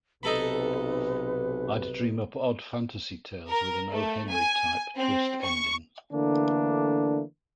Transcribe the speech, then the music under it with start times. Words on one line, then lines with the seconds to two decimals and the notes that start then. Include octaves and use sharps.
I'd dream up odd fantasy tales with an O. Henry type twist ending.
0.23 B1 C3 D#4 A4 B4 B5
3.49 A#4
3.92 A3
4.31 G#5
4.98 C4
5.44 C#6
6.13 D3 E3 A3 A#3 D4